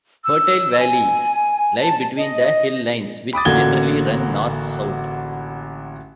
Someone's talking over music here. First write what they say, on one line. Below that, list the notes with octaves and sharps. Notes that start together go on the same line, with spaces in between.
Fertile valleys lie between the hill lines, which generally run north-south.
E6
G#5
A5
D#5
B5 D6 D#6 A6
A1 D3 A#3 F#4 G#6 G7